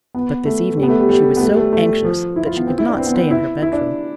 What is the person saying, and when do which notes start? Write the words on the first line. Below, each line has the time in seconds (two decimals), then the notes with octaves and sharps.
But this evening she was so anxious that she could not stay in her bedroom.
0.15 B3
0.45 A3
0.77 G3
0.83 B3
0.88 A3
0.99 G3
1.09 G3
1.37 B3
1.41 A3
1.49 G3
1.57 A3
1.73 A3
2.05 F3
2.36 E4
2.46 F4
2.57 B3
2.67 C4
2.78 E4
2.89 D4
2.98 C4
3.06 B3
3.15 C4
3.31 E4
3.62 E4
3.73 D4